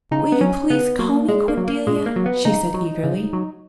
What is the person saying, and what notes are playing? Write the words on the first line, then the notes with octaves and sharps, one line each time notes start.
"Will you please call me Cordelia?" she said eagerly.
C#3 D#4
B3
F#3 C#4
C#3 B3
F#3 A#3
A#2 G#3
A#3
F#3
A#3
A#2 G#3
A#3
F#3
B3
C#3 D#4
F#3
C#3
F#3